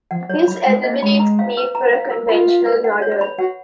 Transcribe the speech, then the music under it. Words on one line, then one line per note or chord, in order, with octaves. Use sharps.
This eliminates the need for a conventional rudder.
F3 F#5
F#3 C#5
F#3 B5
G#3 G#5
A#3 D#5
G#3 B5
A#5
F5
B4
A#5
F5
A#4
F4 B5
F5
B4
F#5
C#5
B5
F#4 F#5